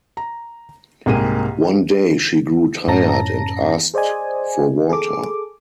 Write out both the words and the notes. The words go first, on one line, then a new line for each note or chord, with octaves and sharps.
One day she grew tired, and asked for water.
A#5
C2 G#2 A#3 G4 G#4 D#7
F#2 A2 C#4 A5 A#5 A#6
G#4 C5 D5 D#5 G#5
G#4 A4 D6